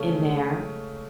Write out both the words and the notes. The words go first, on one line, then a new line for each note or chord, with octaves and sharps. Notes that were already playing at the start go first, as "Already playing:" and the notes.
In there.
Already playing: C#3 G#3 A3 C#4
G#3
G#3